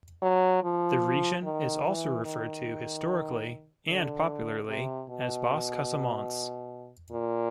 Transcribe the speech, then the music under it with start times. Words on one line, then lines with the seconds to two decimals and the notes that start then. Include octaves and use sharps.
The region is also referred to historically and popularly as Basse Casamance.
0.22 F#3
0.63 F3
1.43 D#3
1.85 E3
2.25 D#3
3.87 D3
4.68 C3
5.09 B2
7.11 A#2